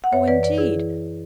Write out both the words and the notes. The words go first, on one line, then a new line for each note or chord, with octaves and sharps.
'Oh, indeed!
F#5
F#2 C#5 E5
E3 B4 D5
F#2 B4 D5
F#2 E4 G#4
E3